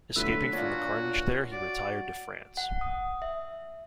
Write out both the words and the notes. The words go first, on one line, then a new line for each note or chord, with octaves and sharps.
Escaping from the carnage there he retired to France.
D3 F#3 A3 B4 E6 B6
A#2 D4 F4 F#4 C#5
F#4 D5
F#5
D#6
E5